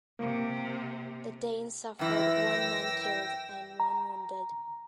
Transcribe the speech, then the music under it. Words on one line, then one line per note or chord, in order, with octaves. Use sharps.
The Danes suffered one man killed and one wounded.
C3 A#3
F#2 E3 G5 E6 A#6
A#5